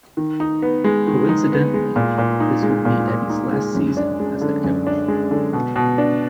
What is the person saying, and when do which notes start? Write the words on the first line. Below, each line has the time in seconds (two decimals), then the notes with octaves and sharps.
Coincidentally, this would be Eddie's last season as head coach.
0.17 D#3
0.40 D#4
0.62 B3
0.84 G#3
1.07 D#3
1.29 D#4
1.52 B3
1.74 G#3
1.96 A#2
2.18 A#2
2.40 D#4
2.63 G#3
2.85 A#2
3.08 A#2
3.30 D#4
3.53 G#3
3.75 F#2
3.97 D4
4.20 G#3
4.42 D3
4.64 F#2
4.87 D4
5.08 G#3
5.31 D3
5.53 B2
5.76 B2
5.98 D4